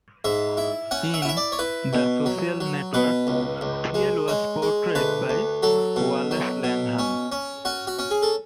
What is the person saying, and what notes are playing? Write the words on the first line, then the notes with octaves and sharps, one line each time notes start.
In "The Social Network", Thiel was portrayed by Wallace Langham.
G#2 E5
E4
C#4 F#5
E5
F#5
E4 E5
D5
C#5
E4 B4
B2
F#3
F#3
B2 B4
C#2
C#2
G#3
G#3 C#5
G#3
D2 B4
D2
F#3 A4
B2
F#3
B2
C#4
C#4
C#4 F#4
F#4
C#4
G#4
A4